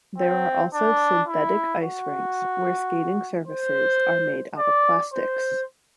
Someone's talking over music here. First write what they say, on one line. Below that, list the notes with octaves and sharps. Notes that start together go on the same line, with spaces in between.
There are also synthetic ice rinks where skating surfaces are made out of plastics.
C4
D4
E4
F#4
C5
D5
C5